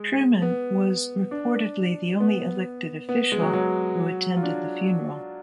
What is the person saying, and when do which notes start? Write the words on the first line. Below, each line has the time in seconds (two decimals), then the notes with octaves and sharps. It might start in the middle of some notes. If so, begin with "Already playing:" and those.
Truman was reportedly the only elected official who attended the funeral.
Already playing: G#3
0.42 B3
1.31 D4
2.20 B3
2.42 B3
3.09 B3
3.32 G#3
3.42 F#3
3.53 F#3
4.37 F4
4.43 D4